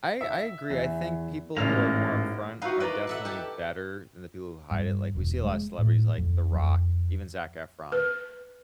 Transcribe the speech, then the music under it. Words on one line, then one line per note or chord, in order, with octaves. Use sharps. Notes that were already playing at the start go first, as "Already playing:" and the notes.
I I agree, I think people who are more upfront are definitely better than the people who hide it, like, we see a lot of celebrities like The Rock, even Zac Efron,
E5
E2
A1 G#2 A#3 F6 F7
D#4 E4 F#4 B4 F5
B4 D5 D#5 A#5
A4 E5 F#5
G4 A5
G2
E1
G#3
A2
F2
F2
B4